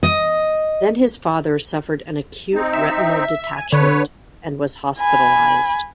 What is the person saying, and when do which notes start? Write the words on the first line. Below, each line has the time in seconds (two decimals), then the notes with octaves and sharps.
Then his father suffered an acute retinal detachment and was hospitalized.
0.03 D#5
2.54 C4 D#4
2.73 E5
3.56 G#5
3.72 D3 B4 C#5
4.99 G#5 B5